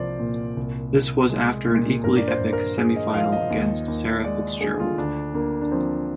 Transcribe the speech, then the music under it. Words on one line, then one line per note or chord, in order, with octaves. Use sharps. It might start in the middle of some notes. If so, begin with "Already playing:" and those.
This was after an equally epic semi-final against Sarah Fitz-Gerald.
Already playing: C2 F3 A#3 C5 D5
A#2
C2
C2
G#3
A#2
G2 A#4
D5
C5
G2
A#4
A#3 G#4
D#5
F3 F5
D#5
D#2
D#2
G#3 D5
D3 G#4
F4
D2 D4
D2 A#3
D4
F3 C4